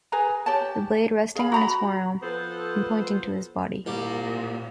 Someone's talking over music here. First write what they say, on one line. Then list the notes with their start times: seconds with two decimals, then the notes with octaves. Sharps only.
The blade resting on his forearm and pointing to his body.
0.12 G#4 B4 G#5 A#5
0.46 G4 C#5 A5
1.35 G#4 F5 B5
1.52 F#4 A#5 B5
2.22 F3 B3 A4 B4 C5
3.86 C2 A#2 G3